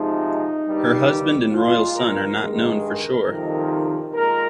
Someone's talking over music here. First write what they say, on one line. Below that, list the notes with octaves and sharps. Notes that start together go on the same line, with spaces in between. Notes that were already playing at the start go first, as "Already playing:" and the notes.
Her husband and royal son are not known for sure.
Already playing: C3 F3 G#3 D#4
G2 G3 A#3
A#2 G#3 F4
A#4
G2 D#3 G#3
A#4
F2 C3 D#3 G3
A#2 G#3 A#4